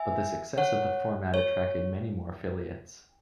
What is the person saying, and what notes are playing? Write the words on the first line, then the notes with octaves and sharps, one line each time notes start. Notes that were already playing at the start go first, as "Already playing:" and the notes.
But the success of the format attracted many more affiliates.
Already playing: E5 G#5
C#5 F#5
C#5